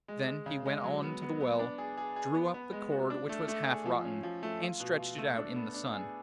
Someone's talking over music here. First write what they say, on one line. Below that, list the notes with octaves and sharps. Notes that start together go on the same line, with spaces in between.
Then he went on to the well, drew up the cord, which was half rotten, and stretched it out in the sun.
G#3
G#3
C#3
G#3
F#3
B3
B3
B3
D4
G#4
G#4
G#4
B3
B3
G#3
F#4
D4
A3
A3
G#4
F3
C#4
F3
A3
F4
B2
F4
A3
D4
B3
D4
G#4